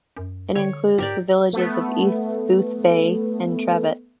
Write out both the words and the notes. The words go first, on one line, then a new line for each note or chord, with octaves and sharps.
It includes the villages of East Boothbay and Trevett.
F#2
D3 C#5
G#2 G4 A#4 D5
A3 B3